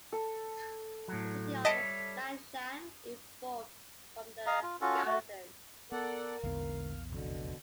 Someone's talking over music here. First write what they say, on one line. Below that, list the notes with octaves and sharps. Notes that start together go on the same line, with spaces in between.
The city of Liangshan evolved from the garrison.
A4
A2 F#3
G3 C#5 D#5 E5 A5 D7
D#5 F5 A#5
F4
C#4 F4 F#4 A4
A3 F#4
B3 A4 A#4 D5 F#5
A#1 E2 D3 E3 G#3 B3 F5
F1 B2 D3